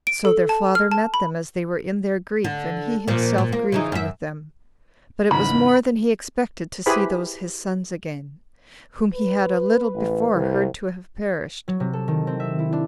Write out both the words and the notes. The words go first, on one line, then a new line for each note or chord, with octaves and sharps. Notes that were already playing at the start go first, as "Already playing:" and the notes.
So their father met them as they were in their grief, and he himself grieved with them; but it was more than he expected to see those his sons again, whom he had a little before heard to have perished.
D7
A4
A5
F6
A5
B5
D3
A#2 F3
A#2
A#3
C#3 E3 D#4
F#2 E5
E2 G#2 C#3 A#5 B5
E4 G4 G#4 B4 C5 B5
B4
A1
C2
F#3
C3
A4
D#3
C4
E5
E4
D4